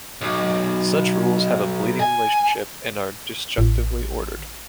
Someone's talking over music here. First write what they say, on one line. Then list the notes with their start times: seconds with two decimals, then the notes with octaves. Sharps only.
Such rules have a bleeding relationship and are "disjunctively ordered".
0.21 B1
2.00 G#5
3.58 A1